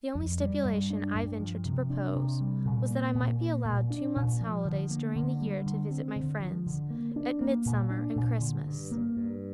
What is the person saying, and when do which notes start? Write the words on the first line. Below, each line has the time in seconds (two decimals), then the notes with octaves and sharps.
The only stipulation I ventured to propose, was that I might be allowed two months' holidays during the year to visit my friends, at Midsummer and Christmas.
0.15 F2
0.40 G3
0.65 G2
0.90 D4
1.15 G2
1.40 F3
1.65 C3
1.90 D4
2.15 C3
2.41 G3
2.65 A#2
2.91 A#3
3.15 A#2
3.40 A#3
3.65 A#2
3.90 D4
4.16 A#2
4.41 F3
4.65 D3
4.90 A#3
5.15 D3
5.41 G3
5.66 D3
5.91 C4
6.16 D3
6.40 F3
6.66 D3
6.90 A#3
7.16 D4
7.41 A#3
7.66 A#2
7.90 D4
8.16 A#2
8.40 D3
8.66 G2
8.91 A#3
9.16 G2